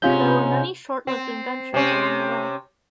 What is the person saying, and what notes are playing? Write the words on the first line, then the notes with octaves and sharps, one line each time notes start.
There were many short-lived inventions along the way.
G#2 C3 C#4 F4 G6
C4
C3 C#4